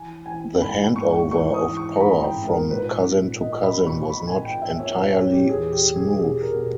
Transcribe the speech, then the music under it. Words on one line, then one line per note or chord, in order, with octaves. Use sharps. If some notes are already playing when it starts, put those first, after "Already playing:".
The handover of power from cousin to cousin was not entirely smooth.
Already playing: E3 G#5
E3 G#5
G#2 B5
G#2 C#6
E3 C#6
D#6
E3
C#6
A#5
G#2 B5
G5
G#2
A#4
A#2 B4
A#2
A#2 D#5
B5
A#2 B5
C#6
A#2 B5
G#5
A#2 G5
E5
A#2 C#5
B4
A#2 C#5
G4
E2 G#4
G4
B2
G#4
B2 G#4
A#4
B2